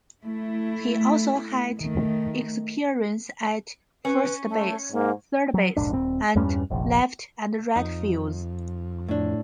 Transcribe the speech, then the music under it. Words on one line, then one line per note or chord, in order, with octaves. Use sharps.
He also had experience at first base, third base, and left and right fields.
A3 E4
D#3 A3
C#4 B4
A3
G#2 A#3
F#3
E1 A#1 G#2 D4
D#1 C4
E2 G2 G3 C#4
F1 A#1
F2 D#4
A2 D4